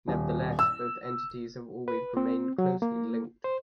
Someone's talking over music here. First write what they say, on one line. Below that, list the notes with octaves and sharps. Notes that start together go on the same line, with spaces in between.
Nevertheless, both entities have always remained closely linked.
D#1
E6
B4
C4
F#3
A#3
C5